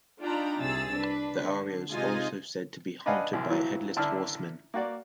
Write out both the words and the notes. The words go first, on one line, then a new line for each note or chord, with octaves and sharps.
The area is also said to be haunted by a headless horseman.
D4 D#4 F4 G5 A#5 B5
C2 C3 G#4 E6 A6
D4 B4
D3
C3 G#3 D#4 F4 D#5 G#5
D4 B4 D#5 F5 F#5 G#5
C2 F#2
F2 A2 E3 F#3
A1 D3 D4 E4 A5 F6
A#3 F#4 D5